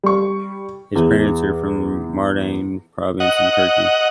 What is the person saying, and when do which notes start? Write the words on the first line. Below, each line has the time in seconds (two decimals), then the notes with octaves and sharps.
His parents are from the Mardin Province in Turkey.
0.03 G3 C#6
0.95 E2
3.20 D#5 F#5